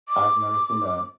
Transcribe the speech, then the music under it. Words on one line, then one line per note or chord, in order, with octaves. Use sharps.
I've never seen that.
D6